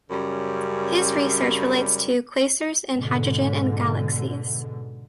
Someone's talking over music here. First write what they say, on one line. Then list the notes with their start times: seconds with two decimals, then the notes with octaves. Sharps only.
His research relates to quasars and hydrogen in galaxies.
0.11 F#2 C#3 G3
2.92 G#2 B2 D3